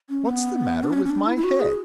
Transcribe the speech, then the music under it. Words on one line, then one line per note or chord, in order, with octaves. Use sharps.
What's the matter with my head?
C#4
B3
D4
C#4
C#4
D4
E4
E4
F#4
G#4